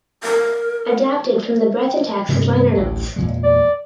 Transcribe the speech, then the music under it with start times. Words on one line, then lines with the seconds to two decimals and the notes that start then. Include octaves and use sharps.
Adapted from the "Breath and Taxes" liner notes.
0.23 A#4
2.29 G2 C3 B3
2.74 A1 D2
3.16 E2 A#2 G#3
3.43 D5